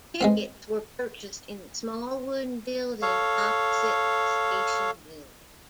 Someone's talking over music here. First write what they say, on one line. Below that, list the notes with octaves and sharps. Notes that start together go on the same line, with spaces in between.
Tickets were purchased in the small wooden building opposite the station building.
G#3 B3 C4
A4 C#5 F5